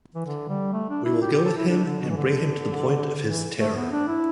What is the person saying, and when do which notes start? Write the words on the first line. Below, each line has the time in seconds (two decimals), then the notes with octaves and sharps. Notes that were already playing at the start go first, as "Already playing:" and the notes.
We will go with him and bring him to the point of his terror.
0.15 E3
0.26 D3
0.49 G3
0.73 A3
0.90 D4
1.05 E4
1.22 G4
1.33 G4
1.45 A4
1.57 E4
1.68 D4
1.84 D3
2.01 B2
2.09 E3
2.17 D3
3.27 E3
3.59 A3
3.76 B3
3.91 D4
4.08 E4